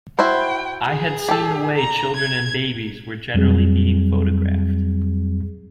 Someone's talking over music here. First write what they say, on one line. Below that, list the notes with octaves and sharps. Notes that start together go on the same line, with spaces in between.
I had seen the way children and babies were generally being photographed.
E4 F#4 C5 G5
G#4
G4 A4
A#5
G#6
F2 F#3 G3 C4 G#4